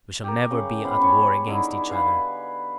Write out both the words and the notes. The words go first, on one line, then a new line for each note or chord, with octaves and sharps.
We shall never be at war against each other.
G4 A#4
C#3
B3 E4 C5
C#4 C#5
D3 D#4 E4
B4 E5 F5 G#5